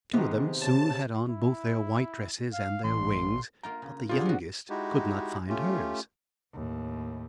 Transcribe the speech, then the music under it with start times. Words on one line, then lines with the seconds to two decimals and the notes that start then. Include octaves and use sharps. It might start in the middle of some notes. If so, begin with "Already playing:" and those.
Two of them soon had on both their white dresses and their wings; but the youngest could not find hers.
0.14 C3 D#3 G#3 B3
0.62 C#3 A5
1.30 E4
2.53 F5
2.84 A1 C6
3.63 A#3 F4 G5 A#5
3.82 C#3
4.09 G2 F4 G4 G#4 D5 F#5
4.25 F3 F#4
4.70 G#3 D#4 E4 F#4 G4
5.49 A3 C#4 F4 G4
6.53 D#2 A2